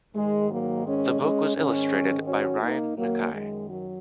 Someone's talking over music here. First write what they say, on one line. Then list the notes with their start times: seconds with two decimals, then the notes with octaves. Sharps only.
The book was illustrated by Ryan Nakai.
0.14 G#2 D#3 G#3
0.50 F#3 A#3
0.85 G#3 C#4
1.21 G#3 C#4
1.55 G#2 D#3 G#3 C#4
2.26 C#4 F#4
2.62 A#3 D#4
2.96 F#2 D#3 F#3 A#3
3.32 G#3
3.68 F#3